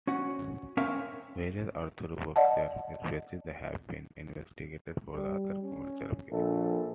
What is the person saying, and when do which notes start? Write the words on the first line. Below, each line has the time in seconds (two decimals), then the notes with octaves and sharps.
Various "Arthrobacter" species have been investigated for other commercial applications.
0.07 C#4 F#4 F#5
0.77 C4 C#4 A#4 E5 F5
2.36 D5 D#5 F#5 A5
5.13 G3
5.62 C#4
6.31 A#1 A4